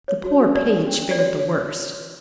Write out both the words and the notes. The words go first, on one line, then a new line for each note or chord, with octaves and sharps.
The poor page fared the worst.
C#5
F#4
F#4
C#5 D5
D4
C#4
C#4
D5
F#4 C#5
C#5